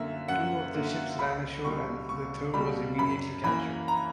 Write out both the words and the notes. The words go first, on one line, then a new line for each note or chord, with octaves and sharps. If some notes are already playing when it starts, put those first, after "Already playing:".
Two of the ships ran ashore and the third was immediately captured.
Already playing: F#2 D3 A#3 E5
F#2 F#5
D3 A#3
C#2 B5
B2 G3 A#3 C#6
C#2 C#6
B2 G3 A#3 B5
F#2 B5
E3 A#3 B5
A#5